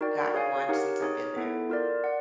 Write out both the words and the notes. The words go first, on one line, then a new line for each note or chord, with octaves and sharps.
gotten one since I've been there.
D#4 F#4 A#4 D5 G5
G#4 C#5 F5 G#5
D#4 G4 A#4 C#5 F#5
D#4 G#4 C#5
B3 E4 A4
F4 A#4 D5
D5 F#5